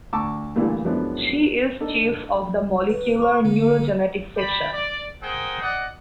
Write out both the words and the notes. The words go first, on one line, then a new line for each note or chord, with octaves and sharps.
She is chief of the Molecular Neurogenetics Section.
D2 A5 C#6 D6 E6
G2 A#2 D3 E3 G3 A3
F#2 F3 G#3 B3 D4 E4
D4 D#4 A4
B4
C#6
D3 A#3
D5 G5 B5
D5
G#4 A#4 C5 D#5 F#5 G5
D5 D#5 F#5